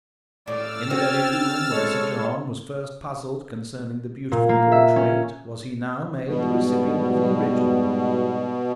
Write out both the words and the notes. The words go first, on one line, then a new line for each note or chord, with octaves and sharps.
In the very room where Sir John was first puzzled concerning the beautiful portrait, was he now made the recipient of the original.
A2 D5 E6 F6 A6
C4 C#4 F#4 G5
G#3 A4 C#5
A#2
A#3
E5
C#4
G#2 B2 G3 B3